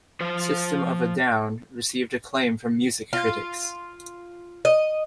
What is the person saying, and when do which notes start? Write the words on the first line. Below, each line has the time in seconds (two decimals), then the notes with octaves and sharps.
"System of a Down" received acclaim from music critics.
0.21 F3 C5
3.13 F4
4.65 D#5